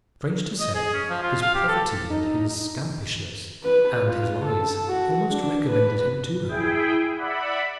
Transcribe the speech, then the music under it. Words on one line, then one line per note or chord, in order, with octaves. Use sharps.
Strange to say, his poverty and his scampishness and his lies almost recommended him to her.
D#5
G#4
C#4
F3
F4
F5
G4
A4
D#4
B4
F4
A4
F#4
D4
B4
E4 G#4 G5
D5 E5 F#5 B5